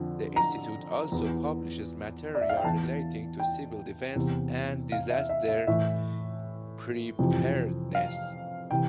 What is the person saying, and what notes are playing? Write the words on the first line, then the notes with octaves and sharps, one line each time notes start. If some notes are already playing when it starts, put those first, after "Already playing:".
The institute also publishes material relating to civil defense and disaster preparedness.
Already playing: F2 D3
A#5
E2 E3
D5
E5
F5
G5
E2 E3 A5
G5
E2 C3 E3
F5
E5
E5
E5
A2 E3 E5
F2 C3 E3
F5
C3 E3 G5